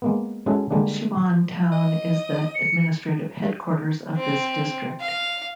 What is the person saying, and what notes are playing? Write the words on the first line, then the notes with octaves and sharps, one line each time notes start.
Siwan town is the administrative headquarters of this district.
G#3 A#3 B3
G#3 C#4 E4 F#4 G#4 A4
D3 G3 G#3 A#3 D4
D#5
C#7
C4
F5